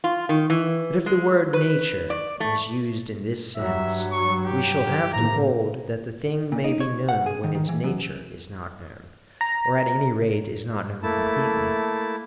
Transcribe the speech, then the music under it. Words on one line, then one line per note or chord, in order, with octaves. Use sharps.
But if the word 'nature' is used in this sense, we shall have to hold that the thing may be known when its 'nature' is not known, or at any rate is not known completely.
F4
D#3
E3
G#3
B4
D5
A3
G2 F#3 E5
C#6
G4
A2 C3 A#3 A#5
A#2
D#4
C#5
F#5
G#4
D#3
D#3
E3
F#2
A#5
A3 A#3 E4 A5